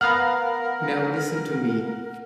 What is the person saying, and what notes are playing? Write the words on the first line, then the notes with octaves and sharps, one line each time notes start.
Now listen to me.
B3 A#4 F5 F#5 A#5 F6